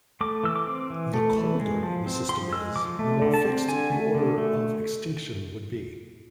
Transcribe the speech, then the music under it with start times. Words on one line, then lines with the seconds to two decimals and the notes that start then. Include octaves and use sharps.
The 'colder' the system is, the more fixed the order of extinction would be.
0.21 A3 D6
0.44 E3 E6
0.56 D6
0.67 C4
0.90 E3
1.14 A3
1.36 E3
1.60 G#3
1.83 F3
2.06 C4
2.29 F3 C6
2.52 G#3 E6
2.76 F3 D6
2.99 A3
3.22 D3
3.34 A5
3.45 C4
3.68 D3 G#5
3.92 A3
4.15 D3
4.38 A3